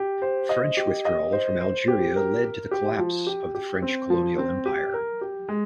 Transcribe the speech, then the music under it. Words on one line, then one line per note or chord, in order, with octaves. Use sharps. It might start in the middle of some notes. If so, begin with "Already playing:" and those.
French withdrawal from Algeria led to the collapse of the French colonial empire.
Already playing: G4
C5
D#5
G4
D#5
C5
C5
G4
A#4
A#4
G4
F3
G4
G4
C4
F3
C4
G4
A#4
G4
G#3